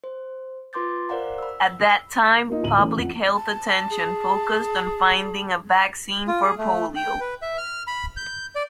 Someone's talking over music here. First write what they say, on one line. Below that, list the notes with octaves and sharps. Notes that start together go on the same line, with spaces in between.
At that time, public health attention focused on finding a vaccine for polio.
C5
F4 B4 C6 D6 G6 A6
A#4 C5 D5 F5 F#5 A#5
B5 E6
A#3 D#4 F4
A1 D2 A#5 D#7 F#7
E3 A3 C#4
F2 F#5
A5
G#4
F4
G#4
A3
G5
B4
E5
F6
B5
G6
D5